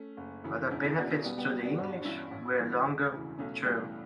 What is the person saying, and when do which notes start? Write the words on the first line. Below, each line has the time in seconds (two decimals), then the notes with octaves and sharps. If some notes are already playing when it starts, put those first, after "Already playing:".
Other benefits to the English were longer term.
Already playing: A3 C#4
0.17 F#1
0.44 F#2 C#3 E3
0.71 E1 C#4 E4
0.84 C#4 E4
0.98 E2 B2 D4 F#4
1.10 C#4 E4
1.24 B1 G3 B3
1.38 G3 B3
1.51 B2 G3
1.64 B3 D4
1.78 G1 D4 F#4
1.98 D4
2.04 G2 E3 C#4 E4
2.31 A1
2.58 G2 E3
2.85 E1
3.12 D2 C#3 E3
3.39 B1 A3 C#4
3.65 A2 E3 G3 B3